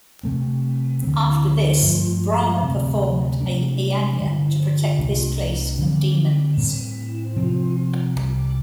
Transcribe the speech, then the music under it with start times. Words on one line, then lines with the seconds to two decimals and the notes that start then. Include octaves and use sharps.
After this Brahma performed a yagna to protect this place from demons.
0.23 C3 A3 C4
1.03 G3 C4
1.07 D2 D3
1.82 G2 F3 A3
2.61 D2 C3 A3 C4
3.41 C3 A3 D4
4.20 G2 D3 G3
4.98 C2 C3 A3 D4
5.77 D2 D3 G3 C4
6.57 A2 G3 C4
7.36 C3 F3 C4
8.16 C2 C3 G3